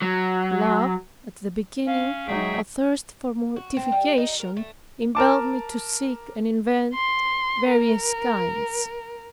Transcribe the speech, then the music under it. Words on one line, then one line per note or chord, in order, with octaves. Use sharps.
Love, at the beginning, athirst for mortification impelled me to seek and invent various kinds.
F#3
C#4 F5
F#3 G#3 D#4 G#4 E5 G5
F#4
C4
G3
D#4
A#4
A3
A#4 A5 D6
C6
A#4